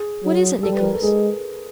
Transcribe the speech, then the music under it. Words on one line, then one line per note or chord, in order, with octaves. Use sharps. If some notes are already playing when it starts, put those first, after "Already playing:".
"What is it, Nicholas?"
Already playing: G#4
F#3
G3 A4
B4
A#4
A4
G#3 G#4